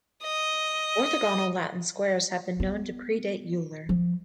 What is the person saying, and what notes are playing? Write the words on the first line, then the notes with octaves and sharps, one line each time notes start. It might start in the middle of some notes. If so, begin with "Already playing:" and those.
Orthogonal Latin squares have been known to predate Euler.
D#5
B3
F3